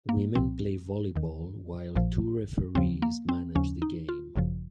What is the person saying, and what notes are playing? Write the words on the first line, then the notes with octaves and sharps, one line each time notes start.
Women play volleyball while two referees manage the game.
A#3
C2 A#2 F3 C4
D#2 D#3
A#1 A#2 F3
D#2 C#3 F3 C4
A#3
C4
D#2 C#3 F3 C#4
D#4
F4
G#1 F#2 C#3 F3